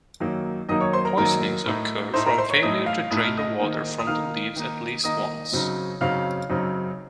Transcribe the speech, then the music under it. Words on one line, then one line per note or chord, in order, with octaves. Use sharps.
Poisonings occur from failure to drain the water from the leaves at least once.
F#2 D#3 F#3 A#3 D#4
F#2 D#3 F#3 A#3 D#4 D#5 D#6
C#5 C#6
C5 C6
A#4 A#5
F#2 D#3 F#3 A#3 D#4 A#4 A#5
A2 A3 D#4
A2 A3 D#4 C5 C6
A#4 A#5
C5 C6
C#5 C#6
A2 A3 D#4 D#5 D#6
F5 F6
A2 A3 D#4 D#6
F6
D#5 D#6
D#3 A#3 D#4
D#6
D#3 A#3 D#4 F5 F6
D#3 A#3 D#4
D#3 A#3 D#4 D#5 D#6
F#2 C#3 F#3 C4 D#4
F#2 C#3 F#3 C4 D#4 F5 F6
F#2 C#3 F#3 C4 D#4